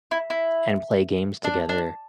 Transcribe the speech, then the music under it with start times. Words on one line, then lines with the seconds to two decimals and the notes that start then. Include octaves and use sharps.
and play games together,
0.11 E4
0.30 E4
1.44 D4
1.69 D4